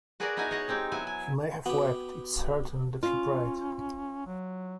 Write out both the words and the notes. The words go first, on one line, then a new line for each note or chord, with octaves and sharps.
He may have wept; it is certain that he prayed.
F#4 G#4 A#4 B4 D5 F#5
B3 D#4 E4 F#4 G#5 A#5
G#4 C#5 D#5 F#5
G#3 C4 D#4 G4
F#3 B3 E4 G#5
G#5
B3 F#4 G4
C#4 F4
F#3